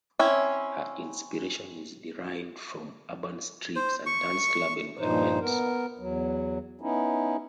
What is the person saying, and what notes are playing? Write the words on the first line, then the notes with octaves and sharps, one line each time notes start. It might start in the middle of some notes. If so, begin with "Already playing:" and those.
Her inspiration is derived from urban streets and dance club environments.
C4 C#4 E4
C5
C#6
G2 A#2 F3 D#4 C5
B3 A#4
E2 F#3
B3 C#4 D#4 E4